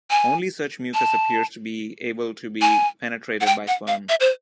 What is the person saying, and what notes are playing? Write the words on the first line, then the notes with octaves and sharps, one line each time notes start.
Only such mucus appears to be able to be penetrated by sperm.
G#5
A5
G#5
F#5
G5
F#5
F5
E5
C5